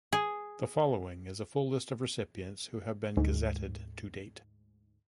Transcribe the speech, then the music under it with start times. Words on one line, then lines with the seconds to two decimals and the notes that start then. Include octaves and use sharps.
The following is a full list of recipients who have been Gazetted to date.
0.13 G#4
3.17 D2 G#2